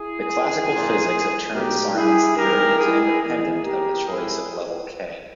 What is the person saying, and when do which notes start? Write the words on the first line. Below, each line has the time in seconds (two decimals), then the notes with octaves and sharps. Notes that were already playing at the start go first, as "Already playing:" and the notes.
The classical physics of Chern-Simons theory is independent of the choice of level "k".
Already playing: E4 G#4
0.68 A#1 A#2
1.53 B1 B2 G4 A#4
1.95 E4 G#4
2.37 G#1 G2 E3 G4 A#4
2.79 E4 G#4
3.22 E2 D#3 E4 G#4
3.64 G4 A#4
4.07 G#1 G#2 D#3 E4 G#4